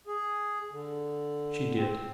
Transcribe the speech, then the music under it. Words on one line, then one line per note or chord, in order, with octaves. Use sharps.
She did.
G#4
D3
C4